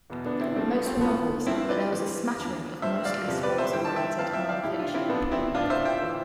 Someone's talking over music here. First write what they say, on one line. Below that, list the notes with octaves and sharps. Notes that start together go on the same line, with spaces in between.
Most were novels, but there was a smattering of mostly sports-oriented nonfiction.
E2 B2
B3 D4
C4 E4
D4
G2 F3 A3 C4
B3
A3 C4
A2 F3 B3
G2 F3 C4 E4
B4 D5
G2 E3
E2 D3 F3
G2 F3 C5 E5
D5 F5
E2 C3 F3
B4 D5
C5 E5
G2 E3 G5
A5
E5 G5
F2 E3 F5 A5
E5 G5
D5 F5
A2 F3 E4 G4
D4 F4
C4 E4
A2 F3 B3 D4
C4 E4
A2 F3 D4 F4
C5 E5
E5 G5
E3